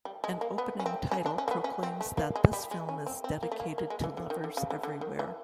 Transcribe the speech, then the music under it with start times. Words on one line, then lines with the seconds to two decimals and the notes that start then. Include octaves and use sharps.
An opening title proclaims that this film is dedicated to lovers everywhere.
0.05 G3
0.24 G#3
0.41 A#3
0.58 B3
0.79 C#4
0.86 C4
1.11 C#4
1.26 D4
1.38 C#4
1.48 A#3
1.51 B3
1.64 C#4
1.83 C4
2.01 A3
2.17 A#3
2.36 G#3
2.53 G3
2.71 G#3
2.89 C#4
3.06 C4
3.24 C4
3.43 A#3
3.52 A3
3.60 A#3
3.78 A#3
3.90 G#3
4.04 E3
4.17 D3
4.30 D#3
4.44 D3
4.57 C#3
4.70 D3
4.83 D3
5.01 D#3
5.19 E3